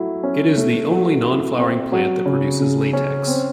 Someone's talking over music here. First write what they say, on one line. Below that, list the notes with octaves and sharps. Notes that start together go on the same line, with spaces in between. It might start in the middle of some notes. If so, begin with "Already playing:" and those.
It is the only non-flowering plant that produces latex.
Already playing: F#3 A3 E4
C#4
A3
F#3
E4
C4
F#3
C#3
C#3
C#4
C4